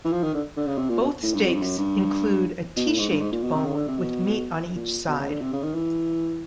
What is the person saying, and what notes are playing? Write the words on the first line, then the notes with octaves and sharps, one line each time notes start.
Both steaks include a "T-shaped" bone with meat on each side.
E3
F3
D#3
D3
D3
C#3
C3
A#2
B2
A2
G2
F2
G2
F#2
G2
B2
A2
G#2
G2
G#2
A#2
B2
C3
C#3
D3
C3
B2
A#2
B2
C#3
D3
C3
C#3
D#3
E3